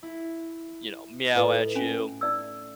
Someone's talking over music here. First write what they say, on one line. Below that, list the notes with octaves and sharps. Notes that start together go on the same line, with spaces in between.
you know, meow at you.
E4
A2 F4 B4 D#5
C#4 G#5
D#4 D5 E6